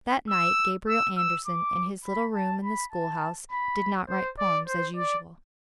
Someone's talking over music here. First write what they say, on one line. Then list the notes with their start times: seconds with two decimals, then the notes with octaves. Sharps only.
That night Gabriel Andersen in his little room in the schoolhouse did not write poems as usual.
0.31 E6
0.89 E6
1.17 E6
1.46 D6
2.05 B5
2.35 A5
2.64 B5
2.92 A5
3.52 B5
4.09 C5
4.39 D5
4.68 C5
4.96 D5